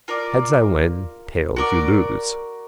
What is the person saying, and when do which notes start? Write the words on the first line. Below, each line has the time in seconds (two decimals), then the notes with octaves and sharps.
Heads I win tails you lose.
0.08 F4 A#4 D5
1.56 F#4 A#4 D5